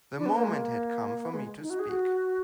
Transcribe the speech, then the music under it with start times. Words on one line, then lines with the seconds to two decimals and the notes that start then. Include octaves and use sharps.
The moment had come for me to speak.
0.17 D4
0.26 B3
0.34 A#3
0.43 G#3
0.53 A#3
1.25 B3
1.34 G#3
1.62 D#4
1.70 F#4
1.79 G#4
1.89 F#4